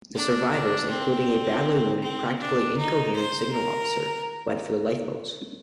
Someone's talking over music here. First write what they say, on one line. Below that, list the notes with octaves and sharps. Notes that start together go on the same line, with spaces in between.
The survivors, including a badly wounded, "practically incoherent" signal officer, went for the lifeboats.
D4
D4
C4
C4
D4
D#4
C5
A#4